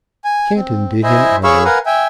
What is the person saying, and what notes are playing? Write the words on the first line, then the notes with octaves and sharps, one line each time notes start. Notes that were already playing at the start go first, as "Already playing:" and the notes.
Canton did him honor.
G#5
C4
E4 C5 D#5 E5 G#5
G#4 C#5 F5 B5 C#6 E6
A#4 B4 F5 F#5 G#5
E5 G5 G#5